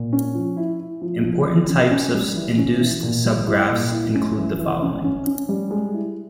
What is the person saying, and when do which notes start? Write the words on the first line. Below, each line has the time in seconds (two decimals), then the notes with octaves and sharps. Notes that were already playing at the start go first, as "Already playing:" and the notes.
Important types of induced subgraphs include the following.
Already playing: A#2
0.13 C#4
0.35 F3
0.57 E4
0.80 E4
1.02 F3
1.24 F3
1.47 F3
1.68 C#4
1.91 C#4
2.13 G3
2.35 E3
2.58 C#4
2.80 E3
3.03 A#2
3.25 G3
3.47 E4
3.70 A#2
3.92 E4
4.15 C#4
4.37 E3
4.59 E3
4.82 C#4
5.04 C#4
5.27 C#4
5.49 G3
5.71 G#3
5.93 E4